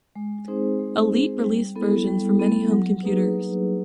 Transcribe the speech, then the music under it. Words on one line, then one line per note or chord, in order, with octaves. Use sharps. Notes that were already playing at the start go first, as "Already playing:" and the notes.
Elite released versions for many home computers.
G#3
C4 D#4 G#4 C5
G#3
C4 D#4 G#4 C5
G3
B3 E4 A4
G3
B3 E4 A4
F#3
A#3 D#4 G#4 B4